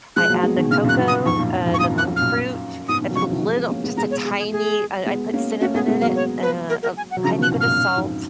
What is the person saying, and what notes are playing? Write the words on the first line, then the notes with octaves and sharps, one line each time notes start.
I add the cocoa, uh, the monk fruit. I put a little just a tiny I I put cinnamon in it, uh, a tiny bit of salt.
F3 G#3 F#6
F#3 A#3
G#3 B3
B2 D#3
A#2 C#3 F6
F#2 A#2 F#6
F#2
D#6
F#2
F2 G#2 C#6
F#2 A#2
F2 G#2
C#6
F#2 A#2 D#6
F#2 A#2 F#6
F2 G#2
F#2 A#2 F6
G#2 B2 D#6
B2 D#3
F#3
C#3 F3 C#6
D#3 F#3
F3 G#3
G#3 B3
A#3 C#4
G#3 B3
G#3 B3 A#5
C#5
G#4
G#4
G#4
G#3 B3
A#3 C#4
A#3 C#4 F#4
G#3 B3 G#4
G#3 B3
F#3 A#3 F5
C#5
B4
A#4
A#4
G#5
F#5
F#3
C#3 F3 A#5
B2 D#3 F#6
G#2 B2
F#2 A#2 F6
F#2
F2 G#2